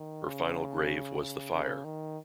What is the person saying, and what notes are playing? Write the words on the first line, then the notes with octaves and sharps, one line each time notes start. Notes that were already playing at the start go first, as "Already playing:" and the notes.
Her final grave was the fire.
Already playing: D#3
C#3
C#3
C#3
D#3